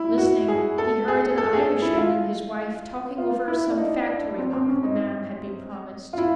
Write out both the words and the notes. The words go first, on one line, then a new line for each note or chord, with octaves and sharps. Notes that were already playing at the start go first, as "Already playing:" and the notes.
Listening, he heard an Irishman and his wife talking over some factory work the man had been promised.
Already playing: E4
F#4
G#4
A4
G#4
A4
G#4
E4
E4
F4
F4
E4
D4
D#4
D4
C4
C4
C#4
D#4
F4
E4